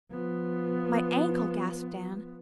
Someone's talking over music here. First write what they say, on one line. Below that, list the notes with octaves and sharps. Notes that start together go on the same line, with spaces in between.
"My ankle," gasped Anne.
F3 B3